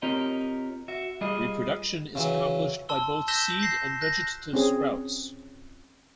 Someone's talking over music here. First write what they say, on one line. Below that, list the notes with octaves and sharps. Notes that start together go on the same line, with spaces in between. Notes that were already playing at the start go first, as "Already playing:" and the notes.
Reproduction is accomplished by both seed and vegetative sprouts.
C4 F4 G4 A#4 C#5 D#5
F#4 E5
G3 F4 G#4 D#5
C#3 E3 F#3
A5 C6 E6 G7
E6 G6 A#6 B6 E7 G7
G6 A#6 C7
F#6 G6 A#6
C4 C#4 G#4